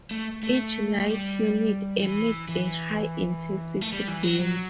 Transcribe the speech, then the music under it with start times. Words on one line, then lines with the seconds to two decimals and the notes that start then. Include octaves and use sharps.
Each light unit emits a high-intensity beam.
0.11 A3
0.43 A3
1.06 G3
2.02 E3
2.49 E3
3.81 A3
3.92 G3
4.08 E3
4.23 F#3
4.40 F#3